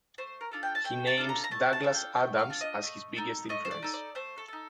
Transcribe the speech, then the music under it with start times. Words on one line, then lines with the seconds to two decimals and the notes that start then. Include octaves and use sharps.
He names Douglas Adams as his biggest influence.
0.18 A3 C5
0.41 A#4
0.52 D4 F4 A4
0.63 G5
0.75 A5
0.84 A3 G5
1.07 A5
1.18 D4 F4 A4
1.29 A#5
1.44 A#5
1.51 A3 A5
1.73 A5
1.83 D4 F4 A4
1.94 G5
2.17 A3 G5
2.39 F5
2.50 D4 F4 A4
2.61 D#5
2.83 A3
3.16 D#4 A4
3.49 A3 D#5
3.65 C5
3.71 D5
3.83 D#4 A4
3.94 D5
4.15 A3 C5
4.38 A4
4.48 D#4 A4